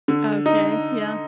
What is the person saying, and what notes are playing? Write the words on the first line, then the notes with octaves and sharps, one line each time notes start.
Okay, yeah.
D3
D#4